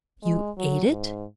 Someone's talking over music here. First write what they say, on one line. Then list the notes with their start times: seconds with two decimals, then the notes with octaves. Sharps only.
"You ate it?"
0.22 G#3
0.57 F#3
0.89 G#2